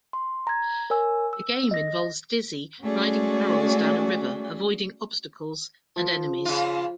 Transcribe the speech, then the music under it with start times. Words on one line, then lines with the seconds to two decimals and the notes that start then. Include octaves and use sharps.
The game involves Dizzy riding barrels down a river avoiding obstacles and enemies.
0.13 C6
0.47 A#5 G#6
0.90 A#4 C#5 G#5 E6
1.33 E6
1.71 D#5 A#6
2.83 G#3 A3 C#4 F#4 G#4 D5
5.96 F3
6.45 C#3 F4